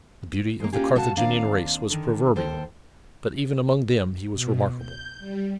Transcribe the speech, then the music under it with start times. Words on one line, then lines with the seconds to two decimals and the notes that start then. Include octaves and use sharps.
The beauty of the Carthaginian race was proverbial, but even among them he was remarkable.
0.60 G#3 A#3
0.72 A#3 C#4 F4 G4 G#4
0.95 D2 B2 F#4 A4 F5 A5
1.17 D#2 C4 D4 D5 F5 A#5
1.90 D3 D#3
2.36 D#2 A4 C5 G5
4.31 B2
4.78 G6
5.19 G3